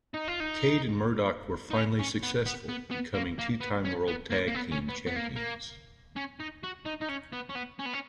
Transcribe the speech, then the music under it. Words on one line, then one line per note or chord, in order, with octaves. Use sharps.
Cade and Murdoch were finally successful, becoming two time World Tag Team Champions.
D#4
F4
D#4
D#4
C#4
C#4
B3
B3
B3
B3
A#3
A#3
B3
C#4
B3
A#3
A#3
B3
C#4
B3
B3
A#3
A#3
C#4
D#4
F#4
D#4
D#4
C#4
B3
C#4
B3
C#4
B3
C#4